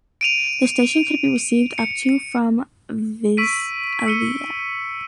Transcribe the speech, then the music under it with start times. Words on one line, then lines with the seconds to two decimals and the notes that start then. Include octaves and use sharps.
The station could be received up to from Visalia.
0.21 D7 D#7 F7
1.78 C#7
3.37 C#6 E6 B6 D7 D#7
4.06 E6 C#7 D#7 G7